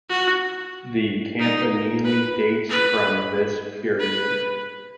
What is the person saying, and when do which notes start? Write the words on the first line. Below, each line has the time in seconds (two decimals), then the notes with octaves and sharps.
The campanile dates from this period.
0.10 F#4
1.40 D#4
2.05 B4
2.69 B4
4.00 B4